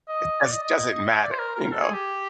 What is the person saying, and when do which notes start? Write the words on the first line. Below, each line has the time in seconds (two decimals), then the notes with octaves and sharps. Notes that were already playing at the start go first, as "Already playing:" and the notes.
It does doesn't matter, you know?
0.08 D#5
0.41 D5
0.51 D#5
0.63 D#5
0.74 D#5
0.90 D#5
1.07 E5
1.23 D5
1.31 C5
1.39 A#4
1.55 A#4
1.66 A#4
1.71 A4
1.83 G#4
1.94 G4